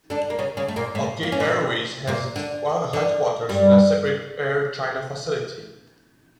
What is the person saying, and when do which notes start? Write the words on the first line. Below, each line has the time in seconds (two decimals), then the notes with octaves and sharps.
Okay Airways has its headquarters in a separate Air China facility.
0.10 D3 D4
0.30 A#3
0.39 C#3 C#4
0.57 C#3 C#4
0.68 A3
0.76 A#2 A#3
0.95 A2 A3
1.23 A#3
1.32 C#4
1.40 A#2 A#3
2.07 A#2 A#3
2.36 D3
2.93 D3
3.49 G2 G3